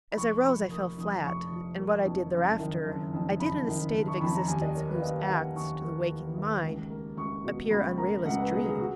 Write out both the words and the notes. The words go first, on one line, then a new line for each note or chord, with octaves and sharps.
As I rose, I fell flat: and what I did thereafter I did in a state of existence whose acts, to the waking mind, appear unreal as dream.
B5
F1 C#6
F3 B5
A#3 D#6
F2 D#6
F1 C#6
F3
A#3
F2
F#1
D#3
F#1
F2
F#1 B5
D#3
F#1
C#6
F2 B5
A#5
D#2 G#5
D#5
A#3 C#5
B4
F5
D#2 D#5
F#5
D#3
F#5
D#2 C#6
A#3 C#6
D#2
D#3
C#2
A#3
C#2 C#6
B2
C#2 B5
A#3 A#5
C#2 F#5
B4
B2 G#4
G#4
F#4